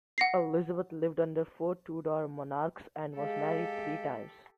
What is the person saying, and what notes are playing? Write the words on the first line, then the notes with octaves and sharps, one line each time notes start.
Elizabeth lived under four Tudor monarchs and was married three times.
F#5 A#6 C7
G#3 G4 A4 F5